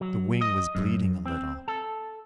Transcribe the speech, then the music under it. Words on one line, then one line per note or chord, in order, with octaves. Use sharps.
The wing was bleeding a little.
F#3
D#5
F#2
C4
A4